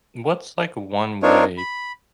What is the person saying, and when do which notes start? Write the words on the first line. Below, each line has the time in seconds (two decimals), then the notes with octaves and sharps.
what's like one way
1.23 C4 D4 D#4 F4 A#4 C#5
1.58 B5